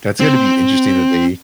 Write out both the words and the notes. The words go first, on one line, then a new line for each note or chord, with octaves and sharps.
That's gonna be interesting that they
C4